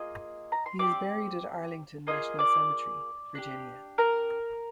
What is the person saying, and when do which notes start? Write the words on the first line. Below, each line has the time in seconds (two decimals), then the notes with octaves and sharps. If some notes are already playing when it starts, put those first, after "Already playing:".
He is buried at Arlington National Cemetery, Virginia.
Already playing: A#3 F4 G#4 D#5
0.52 A#5
0.66 C6
0.79 C4 G4 D5 D6
2.07 A#3 F4 G#4 D#5 D#6
2.39 D5 D6
3.35 D4 G4
3.98 A#4 A#5